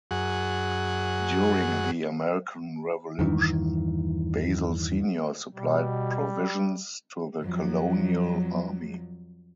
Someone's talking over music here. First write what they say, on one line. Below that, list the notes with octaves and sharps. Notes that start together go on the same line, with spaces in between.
During the American Revolution, Basil Senior supplied provisions to the Colonial Army.
F#2 G#4 F#5
E2 G2 D#3 E3
B2 G3
F2 F#3